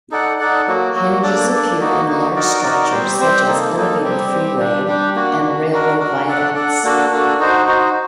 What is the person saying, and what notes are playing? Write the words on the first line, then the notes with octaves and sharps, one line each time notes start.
Hinges appear in large structures such as elevated freeway and railroad viaducts.
D#4 A4 D5 F#5
D#4 A4 D5 F#5
F#3 A#3 F#4
F#3 A#3 F#4
A#3 D4 A4 D5
A#3 D4 A4 D5
A#3 D#4 F#4
A#3 D#4 F#4
D#4 F#4 A#4 D5
D#4 F#4 A#4 D5
G3 C4 G4 C5
G3 C4 G4 C5
A#3 D#4 A4
A#3 D#4 A4
G3 C4 G4
G3 C4 G4
G3 D4 G4
G3 D4 G4
A#3 D4 F#4
A#3 D4 F#4
D4 F#4 A#4
D4 F#4 A#4
D4 A4 D5 F#5
D4 A4 D5 F#5
A#3 D4 F#4 A4
A#3 D4 F#4 A4
D#4 F#4 C5
D#4 F#4 C5